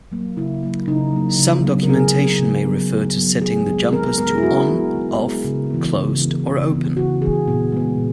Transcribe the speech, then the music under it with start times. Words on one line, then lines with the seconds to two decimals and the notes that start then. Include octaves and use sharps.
Some documentation may refer to setting the jumpers to on, off, closed, or open.
0.12 F#3 A#3
0.37 C#3 E4
0.63 F#3 A#3
0.87 C#3 D#4
1.13 F#3 A#3
1.38 C#3
1.64 F#3 B3
1.83 A#4
1.89 C#3 G#4
2.14 F#3 B3
2.39 C#3
2.65 F#3 B3
2.91 C#3
3.16 F#3 B3
3.41 D#3 G#4
3.67 G#3 B3
3.92 D#3 A#4
4.04 A#4
4.18 G#3 B3 A#4
4.30 G#4
4.38 E4
4.43 D#3 F#4
4.68 G#3 B3
4.94 D#3
5.19 G#3 B3
5.45 C#3
5.70 E3 B3
5.95 C#3
6.20 E3 B3
6.46 C#3
6.71 E3 B3
6.97 C#3 F#4
7.22 E3 B3 G#4
7.48 A#2 B3
7.72 G#3 B3
7.97 A#2